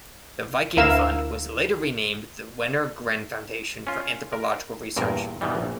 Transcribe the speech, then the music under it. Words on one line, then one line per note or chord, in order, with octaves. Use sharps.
The Viking fund was later renamed the Wenner-Gren Foundation for Anthropological Research.
D2 E4 A#4 F5 E6 E7
C#4 F4
A#4
E2 G2 A#2 A#4
B2 D#3 E3 G3
A#1